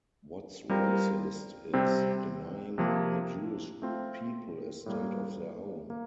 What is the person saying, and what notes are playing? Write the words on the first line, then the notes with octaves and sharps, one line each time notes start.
What's racist is denying the Jewish people a state of their own.
G3 C4 F4 A#4
C3 G3 C4
C3 F3 A#3
A3 C4 F4
A2 G3 A#3
A#3